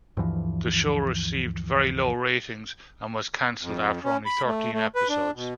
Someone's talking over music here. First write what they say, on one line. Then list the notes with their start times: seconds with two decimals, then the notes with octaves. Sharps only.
The show received very low ratings and was canceled after only thirteen episodes.
0.17 D2 G2 E3 F3
3.61 F2
4.04 C#4
4.25 B5
4.46 A3
4.73 A3
4.95 B4
5.09 D4
5.35 B2